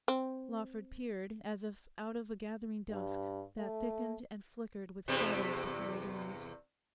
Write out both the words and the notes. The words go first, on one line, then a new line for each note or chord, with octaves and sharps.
Lawford peered as if out of a gathering dusk, that thickened and flickered with shadows before his eyes.
C4
G2
A3
E2 G2 C3